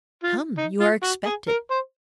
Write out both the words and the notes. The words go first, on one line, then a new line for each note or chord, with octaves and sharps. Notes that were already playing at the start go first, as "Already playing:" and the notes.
"Come, you are expected!"
F4
D#4
F4
F#4
G#4
A#4
C5